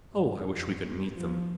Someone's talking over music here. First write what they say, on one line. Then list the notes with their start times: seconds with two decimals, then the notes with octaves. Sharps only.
"Oh, I wish we could meet them."
0.13 G2
0.46 F2
0.80 G2
1.14 F3